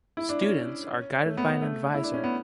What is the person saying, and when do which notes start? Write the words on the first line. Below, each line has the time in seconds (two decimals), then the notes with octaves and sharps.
Students are guided by an advisor.
0.17 E4
0.29 D4
0.41 C#4
1.25 A3
1.37 B3
1.50 B3
1.62 A3
1.94 E4
2.03 D4
2.14 C#4
2.24 B3